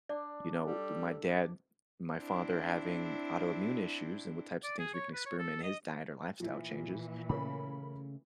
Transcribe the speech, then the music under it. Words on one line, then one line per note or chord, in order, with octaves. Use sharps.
you know, my dad, my father, having autoimmune issues and what types of things we experiment in his diet or lifestyle changes
D4 D5
G3 A4
C4 D4 E4
D5
G#4
C#5
B4
C#5
A4
D#5
A#2 E3 F3 E4
C#3 A3 C#4 A#4 B5